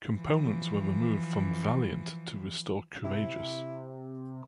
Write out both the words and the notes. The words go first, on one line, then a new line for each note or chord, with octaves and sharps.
Components were removed from "Valiant" to restore "Courageous".
E3 F3
C3 E4